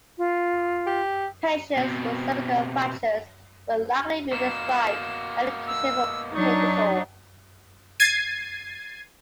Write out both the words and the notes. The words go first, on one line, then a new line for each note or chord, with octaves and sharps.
Patients with cervical fractures will likely be prescribed medication for pain control.
F4
G4
B2 C4
B2 A#3 E7
E6
F#3 D4 D#4 C#6
G#6 A6 C7 D#7